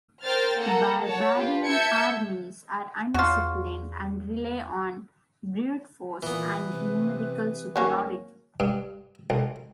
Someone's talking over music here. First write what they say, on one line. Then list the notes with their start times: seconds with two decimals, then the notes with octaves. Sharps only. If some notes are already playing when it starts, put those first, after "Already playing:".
Barbarian armies are undisciplined and rely on brute force and numerical superiority.
0.25 A#4 C5 G5 F6 A6
0.58 A#3 A4 F#5 A#5
1.06 C#5 F#5 A5
1.36 F4 G4 B4
1.67 E5 A5 E6 G6 G#6 C#7
3.14 E2 F4 F#4
6.22 A#2 E3 B3
6.72 C3 B4
7.76 G#1 F#3 A#3 C#4
8.60 G2
9.30 B1